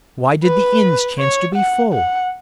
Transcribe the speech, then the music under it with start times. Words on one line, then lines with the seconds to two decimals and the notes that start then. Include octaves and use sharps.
Why did the inns chance to be full?
0.45 B4
1.19 C#5
1.56 F#5
1.93 F#5